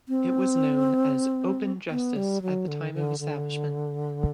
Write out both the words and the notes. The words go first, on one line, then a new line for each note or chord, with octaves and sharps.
It was known as Open Justice at the time of establishment.
C4
B3
G3
F#3
D3
D3
D3